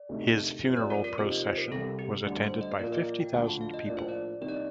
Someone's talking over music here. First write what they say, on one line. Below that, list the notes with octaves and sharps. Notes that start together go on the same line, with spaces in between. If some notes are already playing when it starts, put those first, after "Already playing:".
His funeral procession was attended by fifty thousand people.
Already playing: D5
D2 C3 D#3 A3 D#4
G2 F3 C4 G4 C5
D5
A#4
A#4
C3 F3 A#3 D#4 G4 C5
D#5
C5
A#4
C2 C3 G3 A4
G4
D2 D3 G3 G4
C5
D#5
A#2 F3 A#3 D5
D#5
F5
G5
D2 D3 F3 G5
A5
F5
D#5
A2 F3 A#3 D4 D5
C5
D5
C2 C3 D#3 A#3 D#4 D#5
D5